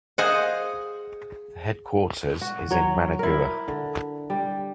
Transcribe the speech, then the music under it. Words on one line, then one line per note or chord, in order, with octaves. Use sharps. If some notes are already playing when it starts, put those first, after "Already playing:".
The headquarters is in Managua.
G#4 C5 D#5 F5 F#5
F#4
F#3 C#5
E4 A#4
D3
G3